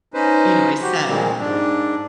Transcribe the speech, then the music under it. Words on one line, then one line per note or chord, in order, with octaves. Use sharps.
you know, I said"
C#4 D#4 B4 C5
F#4 G4
A#2 G3 G#3 A#3 C4
G#2 D4